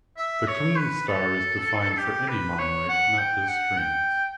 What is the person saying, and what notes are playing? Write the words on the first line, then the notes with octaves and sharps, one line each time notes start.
The Kleene star is defined for any monoid, not just strings.
E5
C#5
B4
A4
G4
B4
C#5
F#5
G5
F#5
G5